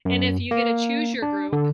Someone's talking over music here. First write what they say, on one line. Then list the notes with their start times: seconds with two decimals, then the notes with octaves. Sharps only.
and if you get to choose your group,
0.05 F#2
0.51 A#3
1.22 D4
1.53 D3